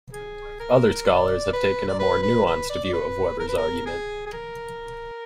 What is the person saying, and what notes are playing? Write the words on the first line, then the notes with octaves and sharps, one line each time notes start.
Other scholars have taken a more nuanced view of Weber's argument.
G#4
A#4
D5
B4
D5
B4
B4
B4
D5
D5
B4
A#4
B4
A#4
G#4
G#4
A#4